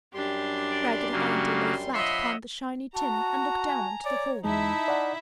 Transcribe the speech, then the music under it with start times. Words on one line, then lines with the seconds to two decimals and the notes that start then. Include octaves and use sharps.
Raggedy Andy lay flat upon the shiny tin and looked down into the hole.
0.14 F#2 G3 D4 G4 C6
0.71 D5
1.12 C#3 F#3 A#3
1.93 F3 C#5 D#5 E5 F#5 B5 C6
2.95 F#4 A5 A#5
3.69 G#5
4.05 C#5 D5
4.44 E2 G#3 D#4 E4 E5 A5
4.88 D5 F#5